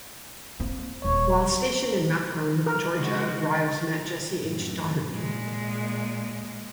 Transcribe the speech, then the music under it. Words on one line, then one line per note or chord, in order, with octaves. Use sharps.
While stationed in Macon, Georgia, Rives met Jessie H. Daugherty.
A#3 C4
D#1 C#5
A#4
G#3 F#4
F#2 A2
A#2 G#3